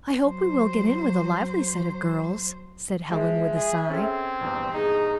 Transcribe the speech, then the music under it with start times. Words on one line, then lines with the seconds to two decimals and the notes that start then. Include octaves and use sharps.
"I hope we will get in with a lively set of girls," said Helen, with a sigh.
0.20 F#3 C5
3.10 F3 G#3 E5
3.54 G#4
3.90 C4 C#4 G#4 A4
4.41 A#1 E2 G2
4.73 D#4 G#4